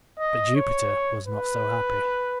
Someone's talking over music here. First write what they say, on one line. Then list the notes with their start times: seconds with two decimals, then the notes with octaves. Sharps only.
But Jupiter was not so happy.
0.20 D#5
0.56 C#5
1.27 B4